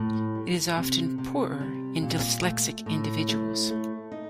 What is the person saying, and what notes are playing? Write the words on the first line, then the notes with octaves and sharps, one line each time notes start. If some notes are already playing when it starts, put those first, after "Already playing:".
It is often poorer in dyslexic individuals.
Already playing: A2
G3
C3
C3
G3
A#2
A3
A2
A3
A3
D#4